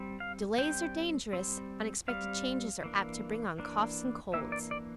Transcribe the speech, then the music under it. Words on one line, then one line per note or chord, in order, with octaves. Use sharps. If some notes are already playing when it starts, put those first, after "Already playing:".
Delays are dangerous unexpected changes are apt to bring on Coughs and Colds.
Already playing: G3 C4
F5
G3 C4 G5
G3 C4
G3 C4 F5
E3 A#3 D4
E3 A#3 D4
E3 A#3 D4 E5
D5
D5